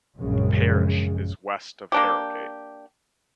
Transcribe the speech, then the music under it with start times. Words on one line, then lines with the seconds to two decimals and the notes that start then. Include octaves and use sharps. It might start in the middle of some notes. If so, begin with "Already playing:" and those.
The parish is west of Harrogate.
0.18 A#1 F#2 C#3 G#3
1.92 A#3 D4 G4